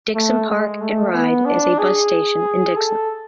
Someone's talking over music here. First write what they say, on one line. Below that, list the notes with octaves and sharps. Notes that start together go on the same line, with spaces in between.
Dixon Park and Ride is a bus station in Dixon.
A3
G#3
A3
B3
D4
G#4
A4